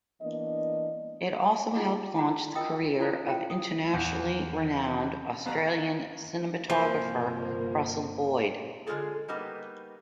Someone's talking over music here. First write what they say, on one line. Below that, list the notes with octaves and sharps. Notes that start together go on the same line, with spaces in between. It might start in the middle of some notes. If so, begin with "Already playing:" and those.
It also helped launch the career of internationally renowned Australian cinematographer Russell Boyd.
E3 A#3 B3 D4 D#5
D#4 F4 G#4 D#5 F#5 A#5
D4 E4 F#5 A#5 D6
F4 A#4 D#5 G5 D#6
E4 F4 A4 C5 D5
C#4 F4 C5 G5
D#6
E2
A1 B3 F5 A5 A#5
G1 C3 F3 A#3
D3 G#3 B3 F4 G#4 A4
G3 A#3 B3 D#4 F#4 G4